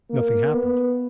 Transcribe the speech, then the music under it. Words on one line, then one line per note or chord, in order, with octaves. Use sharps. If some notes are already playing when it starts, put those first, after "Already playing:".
Nothing happened.
A#3
B3